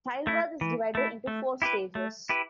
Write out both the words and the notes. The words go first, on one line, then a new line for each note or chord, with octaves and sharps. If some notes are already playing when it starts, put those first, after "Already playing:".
Childbirth is divided into four stages.
A3 E4
E3
A3 E4
A3
E4 G4 B4
A3
E4 G4 B4